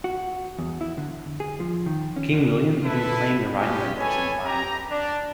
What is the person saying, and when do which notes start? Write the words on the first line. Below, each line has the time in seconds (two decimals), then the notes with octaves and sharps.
King William even claimed the Rhineland for some time.
0.04 F#4
0.59 E2
0.81 E4
0.98 D3
1.40 G#4
1.60 F3
1.86 D#3
2.16 C#4
2.33 D3
2.84 E4 A4 B4
3.57 G3 G#3 C#4 F#4 G4
3.98 A4 B4 C#5 G#5
4.46 G4 A#5
4.91 D4 D5